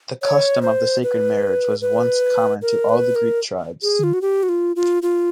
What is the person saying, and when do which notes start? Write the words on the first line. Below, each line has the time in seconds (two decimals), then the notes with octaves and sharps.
The custom of the sacred marriage was once common to all the Greek tribes.
0.23 C#5
0.62 C5
1.03 B4
1.82 B4
2.62 A#4
2.89 B4
3.15 A#4
3.83 G#4
4.04 F4
4.13 F#4
4.22 G4
4.43 F#4
4.49 F4
4.76 F4
5.02 F4